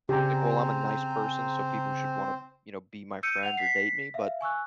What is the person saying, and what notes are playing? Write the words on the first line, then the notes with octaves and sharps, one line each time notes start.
Like, "Well, I'm a nice person, so people should wanna," you know, "be my friend or date me," but
C#3 C4 G4 C5 G#5 A#5
E6 G6 C#7 D#7
F#5 F7
B6 C7
E5 F5
G#5 C#6 E6 F#6